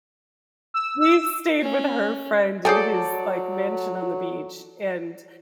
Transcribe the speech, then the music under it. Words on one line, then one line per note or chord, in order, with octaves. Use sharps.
we stayed with her friend in his, like, mansion on the beach, and
E6
E6
C#4
F#3 G#4 A4 C5 D5 G#5